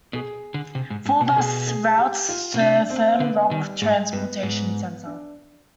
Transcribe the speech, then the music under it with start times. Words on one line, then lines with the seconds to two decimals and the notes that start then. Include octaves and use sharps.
Four bus routes serve Fern Rock Transportation Center.
0.13 B2 G#4
0.54 D3
0.75 C3
0.90 G#2
1.06 G#2
1.21 B2
1.30 C3
1.37 B2 G#4
1.67 G#4
1.98 G4
2.29 F4
2.54 B2
2.59 C3 D4
2.90 C4
3.15 C4
3.20 D3 B3
3.51 D#3 G3
3.82 G#2 G#3
4.13 G2 B3
4.43 G#2
5.05 D4